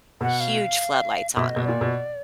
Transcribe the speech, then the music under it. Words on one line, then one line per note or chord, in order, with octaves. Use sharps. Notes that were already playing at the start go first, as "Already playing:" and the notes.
huge floodlights on 'em.
B2 F#5
F5
B2 E5
D#5
B2
A#2 D5
B2